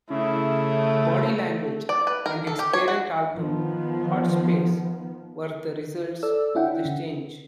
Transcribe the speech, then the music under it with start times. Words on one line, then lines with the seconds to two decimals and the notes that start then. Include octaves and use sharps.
"Body Language" and its parent album "Hot Space" were the results of this change.
0.10 C#3 A3 E4
1.89 D5
2.07 B4
2.26 A#4
2.47 A4
2.59 G4
2.73 C#5
2.88 F#4
3.33 D#3 F3 B3
6.23 A4 D5 E6
6.55 C#4 D4 E4 E5 F#5 G5
6.85 D3